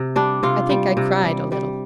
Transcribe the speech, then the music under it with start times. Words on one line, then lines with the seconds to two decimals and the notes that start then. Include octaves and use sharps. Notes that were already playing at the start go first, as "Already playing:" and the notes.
I think I cried a little.
Already playing: C3
0.16 G3 D4
0.43 C3 F4
0.69 G3
0.97 C3
1.24 G3
1.52 G3